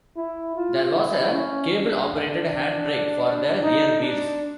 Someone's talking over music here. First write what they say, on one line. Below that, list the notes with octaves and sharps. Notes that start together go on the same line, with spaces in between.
There was a cable-operated hand brake for the rear wheels.
E4
F4
E4
C#4
D4
D#4
D4